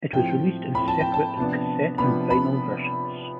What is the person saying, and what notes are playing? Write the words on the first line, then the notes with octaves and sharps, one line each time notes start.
It was released in separate cassette and vinyl versions.
A2 F3 C4 G5
A2 F3 C4 B5
A5
G5
A5
C3 F3 B3 D4
C3 F3 B3 D4 B5
B5